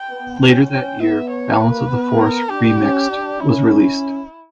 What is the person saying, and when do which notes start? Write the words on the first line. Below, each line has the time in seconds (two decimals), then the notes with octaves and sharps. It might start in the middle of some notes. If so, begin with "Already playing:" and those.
Later that year, "Balance of the Force - Remixed" was released.
Already playing: G5
0.10 B3
0.39 C#4 G5
0.70 C#4 G5
1.00 B3 E5
1.30 C#5
1.59 A#3 B4
1.90 B3
2.20 A#4
2.50 D4 G4
2.80 C#4
3.10 D4
3.40 C#4 E4